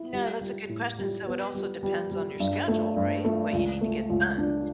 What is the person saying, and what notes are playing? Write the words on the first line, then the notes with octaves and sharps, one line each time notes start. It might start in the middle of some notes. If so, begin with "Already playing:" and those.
No, that's a good question, so it also depends on your schedule, right? What you need to get done,
Already playing: E4
G3
G3
A2
G3
B3
G3
G3
G3
G2
A3
G2
A3
C#2
A3
C#2
D4